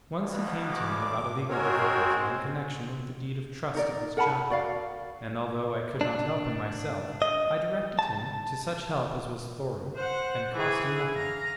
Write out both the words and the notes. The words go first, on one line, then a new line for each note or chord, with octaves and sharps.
Once he came to me about a legal difficulty in connexion with the deed of trust of his chapel; and although I could not help him myself, I directed him to such help as was thorough and cost him nothing.
D2 G2 B2
D6
G#3 C4 F#4 A#4 C#5
D#4 A#4 D5
A#4 F#5 A5 B5
F#4 D5 F5
D4
D#5
A5
C5 F#5
E3 G#4
F5 A#5